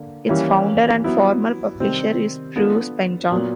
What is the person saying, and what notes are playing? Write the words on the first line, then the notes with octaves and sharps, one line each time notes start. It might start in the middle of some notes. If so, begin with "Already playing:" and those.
Its founder and former publisher is Bruce Penton.
Already playing: D3 A#3
E3 G3 A#3 C#4 E4
F#3 B3 E4
C3 D#3 G3 C4
B3 D4 F4 A4
A#2 F#3 B3